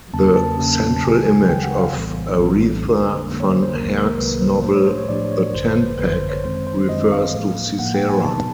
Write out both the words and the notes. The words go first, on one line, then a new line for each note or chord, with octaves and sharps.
The central image of Aritha van Herk's novel 'The Tent Peg' refers to Sisera.
E2 C#3 F#3 A#3 C#4 A5
A5
E2 C#3 F#3 A#3 C#4
A5
D2 C#3 F#3 G#5
G#5
D2 C#3 F#3 G5
F#5
F5
A#1 A2 E3 G3 B3
A#1 A2 E3 G3 B3
F2 D3 F#3 A#3 D4
F2 D3 F#3 A#3 D4
C#5
C5
C5
C2 C3 D#3 F#3 A#3 A#4
A#4
C2 C3 D#3 F#3 A#3 B4
C5
A2 F3 A3 D4 C5
C#5
C5
C#5
A2 F3 A3 D4 D5
C#5
G#1 F#2 D3 C5
B4
G#1 F#2 D3 B4
C5
C#5
F#2 D#3 G#3 C4 C5
C5
F#2 D#3 G#3 C4 D#5
F5
A2 F3 A#3
A2 F3 A#3 F#5
G5
G#5
B2 F#3 B3 D#4 A5